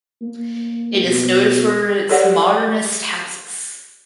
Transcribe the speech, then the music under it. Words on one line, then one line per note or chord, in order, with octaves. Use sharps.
It is noted for its modernist houses.
A#3
B2
G4 A4 C#5 D5 F#5